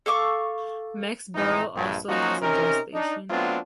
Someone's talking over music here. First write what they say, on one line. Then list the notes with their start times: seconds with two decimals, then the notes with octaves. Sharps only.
Mexborough also has a bus station.
0.06 A4 F5 C#6 D6
1.35 F2 A2 E3 D#4
1.75 A#1 G2
2.08 F3 A#3 C#4 D#4 F#4
2.40 C3 C#4 D#4 A#4
2.93 D4 D#4
3.29 F#3 A3 B3 C4 D4 F4